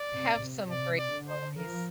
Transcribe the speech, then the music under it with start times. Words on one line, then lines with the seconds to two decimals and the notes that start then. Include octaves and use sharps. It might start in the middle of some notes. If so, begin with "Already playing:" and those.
have some great holidays,
Already playing: D5
0.12 C3
0.42 C3
0.70 C3 D5
0.98 D5
1.13 D3
1.28 C5
1.56 F3 A#4